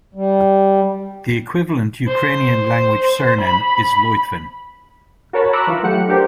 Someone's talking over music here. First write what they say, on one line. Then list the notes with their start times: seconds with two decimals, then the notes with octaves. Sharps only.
The equivalent Ukrainian-language surname is Lytvyn.
0.15 G3
2.07 C5
3.41 B5
5.33 F#4 A#4 C#5 A5 B5
5.53 A#5 B5 C#6 D6 E6 F#6
5.67 E3 F4
5.83 F#3 A3 G4 F#5 C#7
6.08 D4 G4 A#4 C5